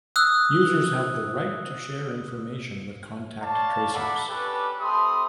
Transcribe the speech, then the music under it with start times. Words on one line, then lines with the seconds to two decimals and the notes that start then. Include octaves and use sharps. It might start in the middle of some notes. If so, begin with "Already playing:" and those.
Users have the right to share information with contact tracers.
0.16 D#6 E6 F#6
3.42 C#5 D5 F5 A5
3.94 A#3 A4 D5 E5 F#5 B5
4.29 C#4 D4 G4 A4 B4
4.79 A3 C4 G4 B5 C6 D#6